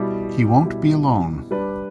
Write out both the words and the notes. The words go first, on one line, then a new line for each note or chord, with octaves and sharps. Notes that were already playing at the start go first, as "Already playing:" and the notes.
He won’t be alone.
Already playing: B2 G3 E4
B2 G3 E4
G3 D4 B4 D5